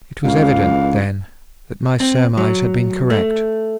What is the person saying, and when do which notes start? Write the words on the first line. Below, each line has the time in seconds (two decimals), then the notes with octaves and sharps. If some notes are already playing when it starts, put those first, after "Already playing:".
It was evident then that my surmise had been correct.
0.24 C#2 D3 E3 F5
2.00 C4
2.37 F#3
3.10 A3